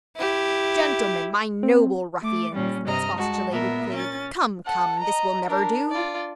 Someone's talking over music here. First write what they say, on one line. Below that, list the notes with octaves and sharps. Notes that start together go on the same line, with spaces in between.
Gentlemen--my noble ruffians!" expostulated Kidd. "Come, come; this will never do!
E4 G4
C4
A3 D6
A#2 G3 C#4
G2 C3 D#5 A#5 F6
G#3 F#4 A5
A#2 A#3 B3 A#4 E5
C#4 A6
A4 F#5
D#5 A#5
D4 A#4
F4 D5